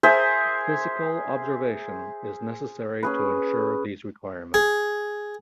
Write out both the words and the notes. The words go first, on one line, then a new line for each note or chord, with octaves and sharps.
Physical observation is necessary to ensure these requirements.
G#4 A#4 C5 E5
C#4 G#4 B4
G#4